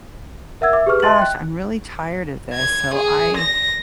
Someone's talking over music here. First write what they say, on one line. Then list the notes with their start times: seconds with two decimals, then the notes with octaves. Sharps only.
"Gosh, I'm really tired of this," so I
0.61 A#4 E5 F#5 E6 G#6
0.73 E5 D6
0.86 G4 G#4 B4 C#6 F6
1.02 D#5 E5 A5 C6 A6 F#7
1.19 G5 F#6
2.54 G#6
2.95 G#4
3.37 A#6